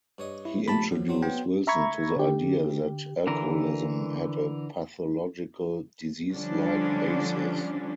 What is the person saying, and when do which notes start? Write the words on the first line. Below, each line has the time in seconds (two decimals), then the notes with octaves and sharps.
He introduced Wilson to the idea that alcoholism had a pathological, disease-like basis.
0.18 G2 C#5 D#5
0.45 E4
0.68 A#1 A3 G4 A5 B5
0.92 F#2 F3
1.09 F#3 C4
1.22 B3 G5
1.67 E5 A#5 B5 C#6 G#6
2.16 D3 G4
3.27 D3 E3 A#4
6.31 D3 F3 G3 C#4 D4